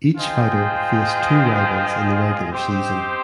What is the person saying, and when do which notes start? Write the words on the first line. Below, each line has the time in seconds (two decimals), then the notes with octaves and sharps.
Each fighter faced two rivals in the regular season.
0.16 F4 G#4 C5 D#5 G5
2.50 C4 G4 C5 D#5 G5